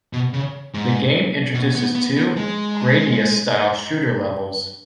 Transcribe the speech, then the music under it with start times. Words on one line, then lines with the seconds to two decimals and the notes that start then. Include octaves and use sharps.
The game introduces two "Gradius"-style shooter levels.
0.13 B2
0.33 C#3
0.74 G#2
1.55 B2
1.76 B3
1.95 B3
2.17 B3
2.37 G#3